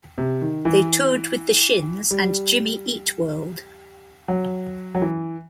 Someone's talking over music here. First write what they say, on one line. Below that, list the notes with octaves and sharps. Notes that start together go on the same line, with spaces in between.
They toured with The Shins and Jimmy Eat World.
C3
D#3
E3
G3
F#3
F#3
E3